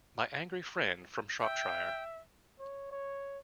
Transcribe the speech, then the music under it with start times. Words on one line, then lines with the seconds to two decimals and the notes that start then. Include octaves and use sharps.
My angry friend from Shropshire!
1.40 E5 G5
2.59 C#5
2.91 C#5